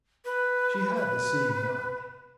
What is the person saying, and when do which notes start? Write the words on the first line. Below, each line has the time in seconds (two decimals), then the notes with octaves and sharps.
She had the seeing eye.
0.25 B4
0.96 B4